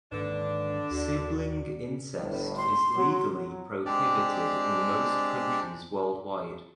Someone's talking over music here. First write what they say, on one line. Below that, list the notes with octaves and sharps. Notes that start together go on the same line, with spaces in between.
Sibling incest is legally prohibited in most countries worldwide.
G#2 D3 D#3 A#3 D4 B4
D#2 F#4 D5
G1 A2
C6
F#3
F#3
G#3 C4 D4 G4 D5